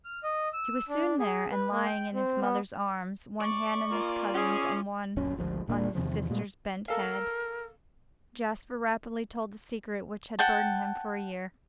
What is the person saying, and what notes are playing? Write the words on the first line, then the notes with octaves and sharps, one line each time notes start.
She was soon there, and, lying in his mother's arms, one hand in his cousin's, and one on his sister's bent head, Jasper rapidly told the secret which had burdened him for a year.
F6
D#5
E6
D4
G#4
B4
A#3
G5
C4
B3
D5 C#6
A#3 F4 G#5
C#4 G#4
D1 A#1 F#2 C#4
G#1 D2 F3
E1 A#2 A#3 D4
E2 C3 D#3 F3
A#2 G3 G#3
A4 A#4 F5
F#5 G5 A5